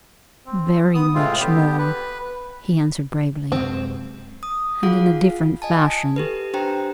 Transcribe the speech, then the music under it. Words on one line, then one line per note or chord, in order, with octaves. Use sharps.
"Very much more," he answered bravely, "and in a different fashion."
C4
B3 D#6
A2 C3 G#3 C4 F4
D3 B3 G4
B4
F#2 C3 G#3 C4
D#6
F4 G#4 F5 F#5
D#5 G#5 A5
G4 A4 B4
D4 G4 C5 G5 A#5